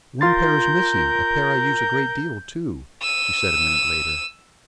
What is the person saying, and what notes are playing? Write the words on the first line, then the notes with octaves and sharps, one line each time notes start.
"One pair is missing--a pair I use a great deal, too," she said a minute later.
F4 A#4 C6 G6 A6
E6 D#7